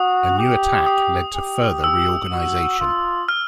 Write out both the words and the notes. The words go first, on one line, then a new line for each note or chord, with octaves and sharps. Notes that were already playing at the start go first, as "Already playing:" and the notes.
A new attack led to further reorganization.
Already playing: F#4 D#6
G4
D#6
G4
E6
F#4
F4
F6